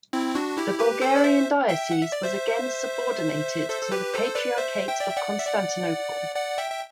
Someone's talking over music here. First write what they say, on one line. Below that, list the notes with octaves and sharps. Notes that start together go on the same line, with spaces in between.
The Bulgarian diocese was again subordinated to the Patriarchate of Constantinople.
C4 E4
D4 F#4
E4 G4
G4 B4
A4 C5
D5
C5 E5
E5 G5
F#5
E5
D5
C5 E5
A4 C5
A4
G4 B4
A4 C5
B4 D5
C5 E5
E5 G5
D5
E5
D5 F#5
E5
D5 F#5
D5 F#5
E5 G5
E5